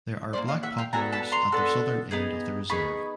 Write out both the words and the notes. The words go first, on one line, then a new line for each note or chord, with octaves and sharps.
There are black poplars at the southern end of the reserve.
A#3 C#4 E4 C5 D5
D#5 F5
E5 F#5
F5 G5
B3 D4 F#4 A4 G#5 A#5
A5 B5
A#5 C6
B3 D4 F#4 A4
B3 D#4 G#4
B3 D#4 G#4 B5 C#6